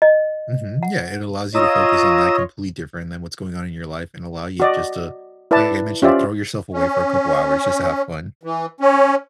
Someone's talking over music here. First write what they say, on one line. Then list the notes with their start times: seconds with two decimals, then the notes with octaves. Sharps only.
Mhm, yeah, it allows you to focus on that complete different than what's going on in your life and allow you just to, like, I mentioned, throw yourself away for a couple hours just to have fun.
0.02 D#5
0.83 F#5
1.55 F4 C#5 D#5 A#5 D#6 E6
4.60 F#4 D5 D#5
5.51 E4 B4 D5 E5 A5
6.02 C#4 F4 G4 C5 D5 E5
6.73 C#4
8.43 E3
8.81 C#4